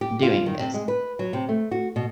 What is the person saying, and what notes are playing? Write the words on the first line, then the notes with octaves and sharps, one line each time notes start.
doing this.
G4
F4
D#3
C3
G#3
B4
F#3
C3
A3
F#4
B2